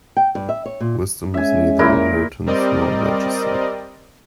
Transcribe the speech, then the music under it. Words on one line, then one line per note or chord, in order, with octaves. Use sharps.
Wisdom is neither inheritance nor a legacy.
G5
G2
E5
C#5
A#2
G#3 C#4 E5 G#5
A#2 E4 A#4
G3 C4 A#4 D5 D#5